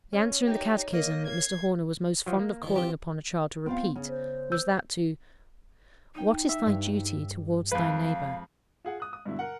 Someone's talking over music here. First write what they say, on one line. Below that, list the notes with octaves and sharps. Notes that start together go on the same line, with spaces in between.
The answer in the Catechism that Mr. Horner was most fond of calling upon a child to repeat, was that to, "What is thy duty towards thy neighbour?"
C#4 C#5
D#4 G4
A#3 D#5
G#6 C7
F3 F#3
A#3
D#3 F3
C4 F4 G4
B3 C4 F4 F5
C#3
C5
E6 G6
D#4 G5 D#6
E5
G2 D4
F2 G#3 B4 F5
F4 G#4 F#5
D#6 F#6
D#6
G2 B2 D3 E4
A#4 F#5